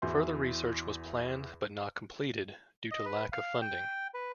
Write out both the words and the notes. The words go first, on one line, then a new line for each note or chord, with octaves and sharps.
Further research was planned but not completed, due to lack of funding.
E2 E3 F#4 C6 G6
D#5
B4
F5
G5
B4